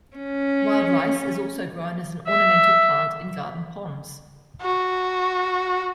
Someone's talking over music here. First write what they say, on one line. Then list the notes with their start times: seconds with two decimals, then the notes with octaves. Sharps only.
Wild rice is also grown as an ornamental plant in garden ponds.
0.16 C#4
2.27 E5
4.62 F#4